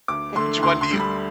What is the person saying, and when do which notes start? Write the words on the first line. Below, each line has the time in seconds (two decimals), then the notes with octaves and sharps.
Which one do you
0.08 D2 D6
0.36 D3 A3 C6
0.63 D2 C6
0.81 C6
0.91 D3 G3
1.00 B5